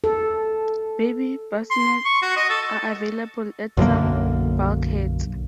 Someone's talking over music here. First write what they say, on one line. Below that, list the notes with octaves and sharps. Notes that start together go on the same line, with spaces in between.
Baby bassinets are available at some bulkheads.
A4
C6
C#6
F#4
D#5
A4
B1 F#2 D3 A#3